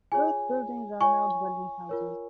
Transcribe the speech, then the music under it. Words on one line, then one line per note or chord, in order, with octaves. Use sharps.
Both buildings are now dwelling houses.
F4 G#4 C#5 G#5
F4 C#5 G#5 C#6
F4 A#4 C#5